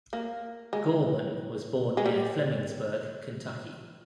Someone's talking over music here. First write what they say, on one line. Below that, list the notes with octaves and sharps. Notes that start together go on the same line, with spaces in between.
Gorman was born near Flemingsburg, Kentucky.
A#3
G#3
G#3
G3